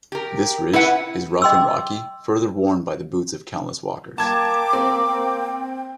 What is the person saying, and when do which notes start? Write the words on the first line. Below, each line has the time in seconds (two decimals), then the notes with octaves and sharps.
This ridge is rough and rocky, further worn by the boots of countless walkers.
0.12 G4 A#4
0.73 E4 B4 E5 F#5
1.42 D#5 G5 C6 D6 E6
4.18 A#3 G5 A5 D6 G#6
4.73 C4